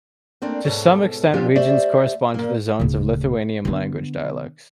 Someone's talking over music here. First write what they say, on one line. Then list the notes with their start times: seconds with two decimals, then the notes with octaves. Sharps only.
To some extent regions correspond to the zones of Lithuanian language dialects.
0.42 A3 A#3 C4 D4
0.65 G#2 B2 A4 C#5
1.34 F3 B3 C4 D4 F4 G4
1.56 A3 G4 C5 D5 E5
2.34 A#2 A#3
2.80 D1 C#3
3.65 D3 B3